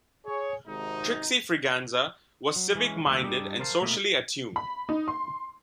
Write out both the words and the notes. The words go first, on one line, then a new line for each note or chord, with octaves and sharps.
Trixie Friganza was civic minded and socially attuned.
G#4 C#5
G#1 G#2 C3 D#4
F#3
E3 G#3 C#4
D2 F3 A#3 D4 D#4 E5
G3 D4 D#4 G4 A4
A#4 C5 F5 A5 B5 C6
B2 A3 A#3 A#4 D#5 B5
B5
D#4
C6